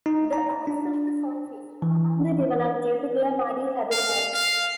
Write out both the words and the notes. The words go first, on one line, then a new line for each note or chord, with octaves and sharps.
The eyes of the sawfish are underdeveloped due to their muddy habitats.
D#4
A#5
D4
E3
F5
F5